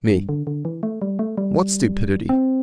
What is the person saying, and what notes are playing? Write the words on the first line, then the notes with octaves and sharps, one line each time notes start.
ME: What stupidity?
G2
D3
D3
E3
A3
G3
A3
G3
C4